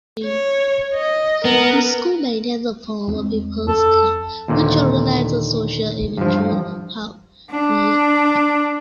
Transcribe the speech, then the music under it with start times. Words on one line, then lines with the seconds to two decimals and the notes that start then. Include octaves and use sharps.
The school maintains a Former Pupils Club, which organises social events throughout the year.
0.24 C#5
0.94 D#5
1.45 B3 A#4
3.08 E2 G#3 C4
3.68 F2 A4
4.48 D#2 A#2 D3
6.17 G2 F3
7.51 D4